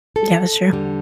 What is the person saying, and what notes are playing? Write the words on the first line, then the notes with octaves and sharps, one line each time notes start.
Yeah, that's true.
A4
E2 D3 G3